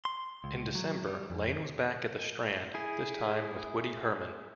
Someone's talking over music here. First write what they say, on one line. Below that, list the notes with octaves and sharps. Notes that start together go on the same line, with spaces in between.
In December, Lane was back at the Strand, this time with Woody Herman.
C6
C#2
F#3
G3
F2
E4 G#4